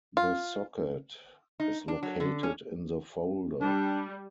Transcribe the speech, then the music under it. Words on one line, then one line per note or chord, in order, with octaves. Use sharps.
The socket is located in the folder.
F4
D#4
D4
F#3
D3
C#4
G3 D4